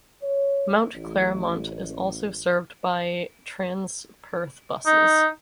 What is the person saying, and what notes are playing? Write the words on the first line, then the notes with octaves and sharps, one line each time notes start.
Mount Claremont is also served by Transperth buses.
C#5
A1
D#4